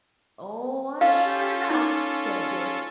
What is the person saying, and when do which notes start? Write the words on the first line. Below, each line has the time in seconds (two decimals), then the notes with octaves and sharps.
"Oh, I'm sure enough," said Dick.
1.01 C#4 F4 A4 F5
1.70 D#4 D6